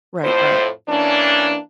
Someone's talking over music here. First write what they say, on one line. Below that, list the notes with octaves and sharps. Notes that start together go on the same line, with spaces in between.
Right, right.
F2 A2 C5
E3 A#3 C#4 D4